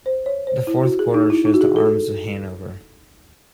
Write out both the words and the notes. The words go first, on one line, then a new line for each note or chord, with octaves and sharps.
The fourth quarter shows the Arms of Hanover.
C5
C#5
C5
E4
F#4
G#4
D#4
E4
D#4
F#4
G#4
A4